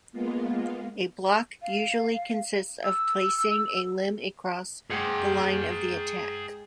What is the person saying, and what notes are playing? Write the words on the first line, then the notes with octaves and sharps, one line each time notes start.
A block usually consists of placing a limb across the line of the attack.
G#3 A#3 B3 F4
F5
E6
G#3 G#4 F#5 G5 D6